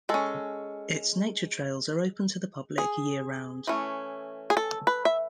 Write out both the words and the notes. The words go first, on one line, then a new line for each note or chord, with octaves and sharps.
Its nature trails are open to the public year-round.
G#3 C#4 A4
G#4
E3 A3 C#4
G#4
A4
B4
E5